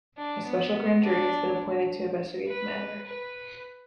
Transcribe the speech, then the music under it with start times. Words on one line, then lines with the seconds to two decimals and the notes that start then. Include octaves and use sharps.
A special grand jury has been appointed to investigate the matter.
0.18 D4
0.46 B3
1.04 D4
2.48 B4
3.06 B4